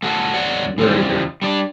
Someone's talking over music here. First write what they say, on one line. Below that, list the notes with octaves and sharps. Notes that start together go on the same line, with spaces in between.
Very good.
A3 F#4 G#4 A4
E2 C#5 D5 F#5
C#3 E3 F3 G3
G3 D4 D5